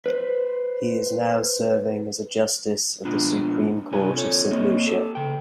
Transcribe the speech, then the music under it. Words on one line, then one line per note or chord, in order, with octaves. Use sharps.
He is now serving as a Justice of the Supreme Court of Saint Lucia.
B4 C5
A#2 G#3 B3 D4 F4
C2 D4 D5 G#5
C4 F4 A4 C#5
A#3 C4 C#5 D#5
G4 A4
C#3 G5